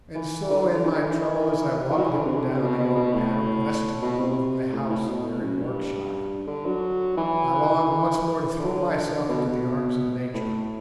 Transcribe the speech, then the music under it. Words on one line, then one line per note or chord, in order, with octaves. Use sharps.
And so in my trouble, as I walked up and down the oak-panelled vestibule of my house there in Yorkshire, I longed once more to throw myself into the arms of Nature.
E3
D3
D3
E3
D3
E3
E3
F#3
E3
D3
C3
D3
C3
B2
B2
B2
A2
B2
C3
A2
A2
B2
A2
F#2
G2
D3
F#3
E3
D3
B2
B2
A2